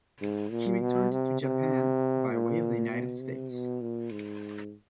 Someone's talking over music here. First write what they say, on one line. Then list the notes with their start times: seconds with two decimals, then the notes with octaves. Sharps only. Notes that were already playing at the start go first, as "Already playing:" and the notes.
He returned to Japan by way of the United States.
0.22 G#2
0.51 A#2
0.81 B2
1.12 C3
1.41 C3
2.31 A#2
2.92 B2
3.21 C3
3.51 B2
3.81 A#2
4.11 G#2